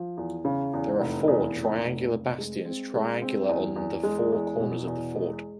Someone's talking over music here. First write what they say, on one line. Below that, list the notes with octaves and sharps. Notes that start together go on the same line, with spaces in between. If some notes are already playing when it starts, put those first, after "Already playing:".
There are four triangular bastions triangular on the four corners of the fort.
Already playing: F3
E2
C#3
E2
F1
E2
F1
F1
F1
G#3
C4
G#3
C4
E2
E2
G#3
E2
B2
E2
G#3